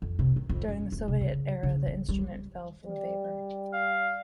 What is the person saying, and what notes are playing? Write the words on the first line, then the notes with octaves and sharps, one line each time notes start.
During the Soviet era the instrument fell from favour.
F2
C3
D#3
F2
F#2
D#1
C3
C#3
C#3
G#2
G3
G3
F5